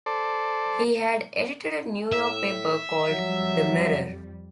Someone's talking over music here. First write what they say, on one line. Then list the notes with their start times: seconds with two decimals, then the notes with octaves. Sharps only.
He had edited a New York paper called "The Mirror".
0.06 A4 C5 D5
2.12 A2 E5
3.09 F2 F#3 G3